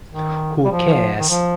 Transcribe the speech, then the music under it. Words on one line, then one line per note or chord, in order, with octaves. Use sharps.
Who cares?
D#3
G3
F3
D#3
F3